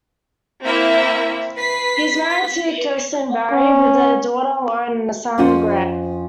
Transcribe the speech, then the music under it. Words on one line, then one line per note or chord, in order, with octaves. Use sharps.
He is married to Kerstin Barry, with a daughter, Lauren and a son, Grant.
A#3 C4 E4 E5
B4 B6 C7
B6
C#4
F2 C#4 F4 C5 F#5